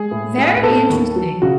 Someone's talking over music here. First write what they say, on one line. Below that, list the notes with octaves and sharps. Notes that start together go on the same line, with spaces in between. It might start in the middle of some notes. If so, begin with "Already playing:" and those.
Very interesting.
Already playing: G#3 G#4
A2
A2
B4
B3 A4
D#2
F#3
C#3 F#4